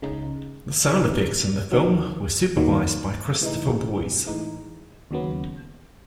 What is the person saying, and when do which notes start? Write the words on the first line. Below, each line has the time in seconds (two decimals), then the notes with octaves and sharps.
The sound effects in the film were supervised by Christopher Boyes.
0.02 C#2 C#3 G#3 D#4
0.87 C#2 C#3 G#3 D#4
1.72 D#2 D#3 F#3
2.56 D#2 D#3 F#3
3.41 A2 E3 G#3 D#4
4.27 A2 E3 G#3 D#4
5.11 D#2 C#3 F#3 B3